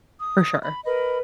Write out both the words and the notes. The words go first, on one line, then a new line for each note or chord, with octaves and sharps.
for sure.
D#6
B5
A#4 B4 D#5 B5